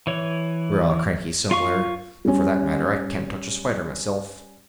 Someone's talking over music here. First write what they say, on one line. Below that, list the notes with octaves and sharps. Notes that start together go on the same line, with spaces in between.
We're all cranky somewhere, and for that matter, I can't touch a spider myself.
E3 C#5
F4 F5 C#6
G3 C#4